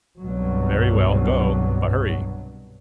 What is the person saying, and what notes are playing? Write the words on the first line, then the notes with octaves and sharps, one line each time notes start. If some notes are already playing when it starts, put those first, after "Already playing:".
"Very well, go; but hurry."
C2 G2 B2 F#3